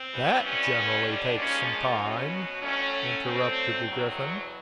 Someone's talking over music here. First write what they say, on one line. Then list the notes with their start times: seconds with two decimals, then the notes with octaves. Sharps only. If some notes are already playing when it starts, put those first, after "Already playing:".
'THAT generally takes some time,' interrupted the Gryphon.
Already playing: C4
0.14 G2 E3 G3 B3
0.45 C#4
0.77 D#2 D3 G3 B3
1.07 D4
1.38 A#2 F3 G#3 C#4
2.00 B2 F#3 B3 C#4
2.62 A2 F#3 A3 C#4
3.24 D2 D3 F#3 A3 C4
3.87 E2 B2 F#3